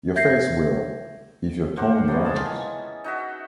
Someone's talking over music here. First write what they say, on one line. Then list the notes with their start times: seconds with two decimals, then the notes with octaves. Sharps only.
Your face will, if your tongue won't.
0.16 E5 G6 G#6 A#6 C7
1.77 G4 A#4 C5 F#5
2.08 F3 B3 C#4
2.25 D#3 F4 G#4 A5
2.45 E3
3.04 D#4 F#4 E5